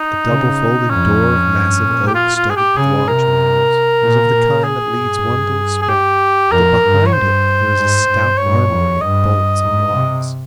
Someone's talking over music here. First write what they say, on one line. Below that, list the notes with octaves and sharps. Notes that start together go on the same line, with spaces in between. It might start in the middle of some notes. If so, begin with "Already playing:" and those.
The double folding-door of massive oak, studded with large nails, was of the kind that leads one to expect that behind it there is a stout armoury of bolts and locks.
Already playing: D#4
C#3
F2 C#4
G2
A#2
G4
F4
F4
G#4
G4
C#3 G#4
C3 A#4
A#2
A#2
G#4
G2
G#4
G4
F2 A#4
G2
C#5
G2 C5
G#2
G2
G2 C#5
F2
G2 D#5
G#2
C3